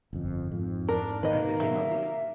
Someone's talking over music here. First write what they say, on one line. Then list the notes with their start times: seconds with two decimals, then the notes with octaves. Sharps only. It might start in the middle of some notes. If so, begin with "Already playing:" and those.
Has it came out yet?
0.13 G1 F2
0.52 F2 G#2
0.89 D4 A#4
1.23 D#3 A#3 B4 D#5
1.60 F3 F#3 E5